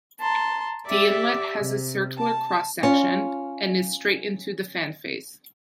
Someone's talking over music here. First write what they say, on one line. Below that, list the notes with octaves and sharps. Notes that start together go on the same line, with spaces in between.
The inlet has a circular cross section, and is straight into the fan face.
A5 A#5 C6
G4 D5 E5 D6
C3
A5
C#4 F4